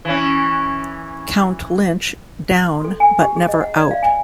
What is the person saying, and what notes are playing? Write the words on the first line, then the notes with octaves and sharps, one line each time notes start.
Count Lynch down but never out.
E3 C#4
C6
A4
G#5
G4
G#4
D#5
F#5
D5
F5
G#5